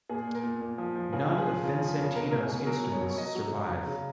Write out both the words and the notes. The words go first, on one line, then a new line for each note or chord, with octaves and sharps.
None of Vicentino's instruments survive.
A#2 G#4
A#2
A#4
A#2
A#2
F3
F3
C#3 G#4
F3
G#4
F3
C#3
F3
C#3
B2 A#4
B2 A#4
G#4
B2
G#4
F#3 A#4
F#3
C#5
F#3
C#5
F#3 D#5
F#3
C#3
F#3
C#3